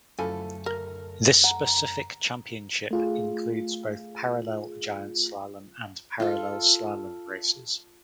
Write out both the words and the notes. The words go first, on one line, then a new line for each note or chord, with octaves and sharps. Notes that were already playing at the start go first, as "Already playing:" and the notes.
This specific championship includes both parallel giant slalom and parallel slalom races.
F#2 E3 F3 A3 A4 G#5
A#4
F#5 A#5
A3 F4 G#4
F4 A4